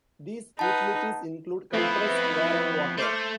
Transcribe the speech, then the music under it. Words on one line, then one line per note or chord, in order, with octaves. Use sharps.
These utilities include compressed air and water.
D#4 B4 F#5 A5
F3 A3 B3 C4 E4 F4 B4
A3 C5 C6 D6 F6